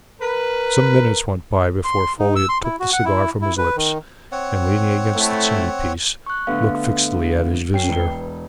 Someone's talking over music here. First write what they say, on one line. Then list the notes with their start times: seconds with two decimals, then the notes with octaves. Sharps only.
Some minutes went by before Folliot took the cigar from his lips and leaning against the chimneypiece looked fixedly at his visitor.
0.21 A#4 B4
1.84 C6
2.19 D#4
2.36 E6
2.49 C6
2.64 E4
2.80 F#4
2.93 F#5
3.05 E4
3.41 E4
3.58 B4
3.76 D#3
4.32 C4 C#5 F#5
5.15 A3 E4
6.26 C#6 F#6
6.47 D3 A3 B3 F5
7.74 C#4 G5 C7
7.89 E1 B4 G7